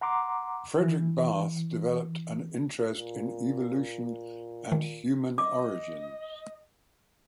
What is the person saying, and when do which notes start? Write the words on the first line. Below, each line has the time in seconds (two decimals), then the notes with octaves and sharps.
Fredrik Barth developed an interest in evolution and human origins.
0.01 F#5 A#5 C6 D6
0.80 E3
2.94 A#2
4.72 D#3
5.38 D#5 D6